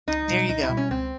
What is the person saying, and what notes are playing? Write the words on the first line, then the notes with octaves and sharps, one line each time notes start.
There you go.
C#2 D#4
B2 G3
C#2 D#4
E4
B2 G3
C#4
C#2 C4